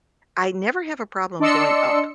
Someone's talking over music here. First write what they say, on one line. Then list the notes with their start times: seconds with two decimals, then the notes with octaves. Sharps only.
I never have a problem going up.
1.40 D4 D5 D#5 C6 E6 C#7